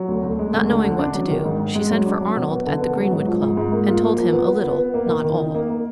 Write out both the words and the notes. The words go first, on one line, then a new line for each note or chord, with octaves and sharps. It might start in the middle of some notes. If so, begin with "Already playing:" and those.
Not knowing what to do, she sent for Arnold at the Greenwood Club, and told him a little, not all.
Already playing: F#3
D2
D2
G#3
D2
D3
D3
D4
F#3
D#3
G#2
G#2
G#3
F#3
D4
F#3
B2
B3
D3
B3
F#3
G#2
F3
G#2
G#2
A#3
F4
A#3
F3
B3
B3
B3
B3
A#3
D#3
D#3
D#4
A#3
A#3